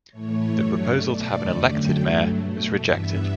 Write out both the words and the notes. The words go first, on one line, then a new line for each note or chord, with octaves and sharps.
The proposal to have an elected Mayor was rejected.
A2 E3 A3 C#5
G2 F#3 A3 C#5
B2 A3 D5
E2 D3 A3
F#2 D3 F#3 A3 G5
G2 F#3 A3
B2 A3
G2 E3 B3 E5